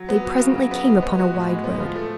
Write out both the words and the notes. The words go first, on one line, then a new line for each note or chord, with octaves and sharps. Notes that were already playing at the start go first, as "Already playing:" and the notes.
They presently came upon a wide road.
Already playing: F#3
B3
F#4
C#3
F#3
B3
G#3
B3
F#4
A2
G#3
B3
F3
A3